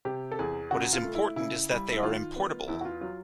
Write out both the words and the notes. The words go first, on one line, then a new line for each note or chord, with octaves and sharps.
What is important is that they are importable.
C3 G4
A4
E2 G#4
C#3 F#4
F4
A3
E4
C#3 E4
G3
E4
D#3 F4
B3
E2 E4
F#4
F4
F#3 F4